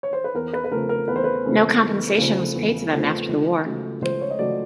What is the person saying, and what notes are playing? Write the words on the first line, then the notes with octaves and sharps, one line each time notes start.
No compensation was paid to them after the war.
C#5
C5
B4
E2 A#4
B4
B4
C#3 F3 A3 C4 A#4
A#4
E2 B4
C5
B4
C#3 F3 A3 C4
E2
C#3 F3 A3 C4
E2
C#3 F3 A3 C4
C#2
C#3 F#3 A3
C#2 C5
C#5
D#5
C#3 F#3 A3 D5